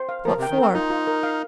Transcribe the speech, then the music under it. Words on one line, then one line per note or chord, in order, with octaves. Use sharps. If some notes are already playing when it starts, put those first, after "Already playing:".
What for?
Already playing: C5
F5
F3 A#4
C3
G5
D#3
C4 A#4
D#4 F4
F4
A#4
F5